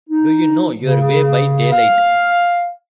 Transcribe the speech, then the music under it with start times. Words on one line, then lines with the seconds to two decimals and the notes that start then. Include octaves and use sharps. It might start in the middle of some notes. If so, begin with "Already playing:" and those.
Do you know your way by daylight?
0.10 D#4
0.82 C#3
1.72 F5